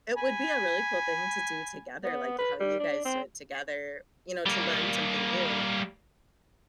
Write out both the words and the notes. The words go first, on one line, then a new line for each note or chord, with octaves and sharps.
it would be a really cool thing to do together, like, how you guys do it together, you know, to learn something new,
G#5 B5
B3
B4
G3
D4
C4
G3 A#3